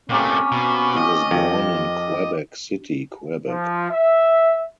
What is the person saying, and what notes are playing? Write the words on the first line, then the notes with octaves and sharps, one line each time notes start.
He was born in Quebec City, Quebec.
A#2 A3 A#3 C4 C#4 G4
B2
F4 G4 D#5
F2
F3
E5